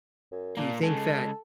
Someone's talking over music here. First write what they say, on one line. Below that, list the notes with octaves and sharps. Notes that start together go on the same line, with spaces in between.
do you think that
F#2
A#2 A#3 D4
C#3 G#3 A4